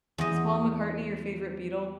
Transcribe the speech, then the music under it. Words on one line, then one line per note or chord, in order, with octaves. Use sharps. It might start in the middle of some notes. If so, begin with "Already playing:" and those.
Is Paul McCartney your favorite Beatle?
E2 D#5